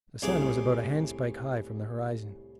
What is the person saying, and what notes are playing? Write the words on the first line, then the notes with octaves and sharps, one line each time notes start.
The sun was about a handspike high from the horizon.
C2 A2 C3 G#4 D6